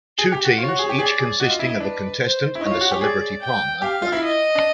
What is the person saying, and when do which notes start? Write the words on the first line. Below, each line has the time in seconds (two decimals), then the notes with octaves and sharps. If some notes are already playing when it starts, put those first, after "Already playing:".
Two teams, each consisting of a contestant and a celebrity partner, played.
0.18 G#4
0.32 G4
0.45 F#4
0.58 F4 C#5
0.68 F#4
0.79 G#4
0.89 G4
0.99 G#4 D5
1.19 G#4
1.39 F#4 D#5
1.50 F4
1.59 E4
1.70 E4
1.80 D4 B4
2.20 C5
2.55 E4
2.60 D#4 C#5
2.71 F4
2.81 F#4
2.91 G4
3.01 G#4 D5
3.41 G5
3.82 G4 F5
4.02 F4
4.12 E4
4.22 D#5
4.55 D4